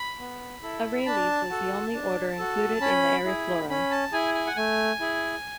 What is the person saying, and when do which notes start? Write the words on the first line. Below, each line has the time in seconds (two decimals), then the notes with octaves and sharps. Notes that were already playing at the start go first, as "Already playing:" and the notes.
Arales was the only order included in the Ariflorae.
Already playing: B5
0.20 B3
0.63 E4 A4
1.06 D4 A5
1.50 F#4 A4
1.94 D4
2.38 F#4 A4
2.81 C#4 B5
3.25 E4 G#4
3.69 C#4 B5
3.91 A5
4.12 E4 G#4 G#5
4.34 G#5
4.47 F#5
4.56 A3 G#5
5.00 E4 G#4